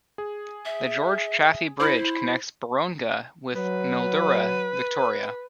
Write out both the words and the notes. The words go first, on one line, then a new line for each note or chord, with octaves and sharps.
The George Chaffey Bridge connects Buronga with Mildura, Victoria.
G#4
E5
E4 C5 B5
F#3 B4